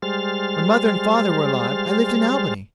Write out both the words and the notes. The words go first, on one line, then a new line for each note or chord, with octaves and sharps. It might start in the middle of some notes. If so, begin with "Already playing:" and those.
When mother and father were alive I lived in Albany.
G3 G#3 C5 F6 A6